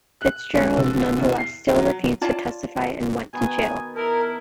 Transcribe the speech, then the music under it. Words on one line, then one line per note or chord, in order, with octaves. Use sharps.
Fitzgerald nonetheless still refused to testify and went to jail.
F#6
G#2
D3
E2
C7
F#3
F4 C#5 D5 A5
B2 D#3 B3 G#5
E4 A4 A#4